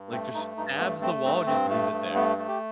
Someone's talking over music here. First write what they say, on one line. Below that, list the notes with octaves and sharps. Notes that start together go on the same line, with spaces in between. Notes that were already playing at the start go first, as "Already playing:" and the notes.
Like, just stabs the wall and just leaves it there,
Already playing: G2
A3 C4
G2 D#4
G2 D#4
A3 B3
A3 C4
G2 C4
G2 C4
A3
G2
A3 B3
A3
G4